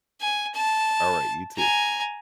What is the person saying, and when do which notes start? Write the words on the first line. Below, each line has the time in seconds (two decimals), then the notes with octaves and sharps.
Alright, you too.
0.21 G#5
0.54 A5
1.56 G#5 A#5